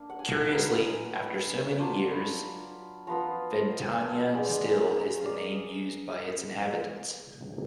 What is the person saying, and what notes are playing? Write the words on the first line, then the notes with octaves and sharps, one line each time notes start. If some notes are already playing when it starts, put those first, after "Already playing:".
Curiously, after so many years, Ventania still is the name used by its inhabitants.
Already playing: A#3 D4
F#5
G#5
F5
F#3 B3 D#4
G#5
B5
B5
A#5
F#3 D4 F4
B5
F3 B3 F4 A#5
G#5
F#5
F5
D#5
G#3 B3 D#4 D5
D5
D#5
A#5
A#5
A#5
F5
D5
D#5